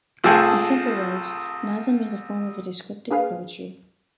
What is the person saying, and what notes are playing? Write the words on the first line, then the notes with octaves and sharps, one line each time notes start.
In simple words, Nazm is a form of a descriptive poetry.
C2 F3 A3 G#4 G5
A#3 D4 G#4 B4 F5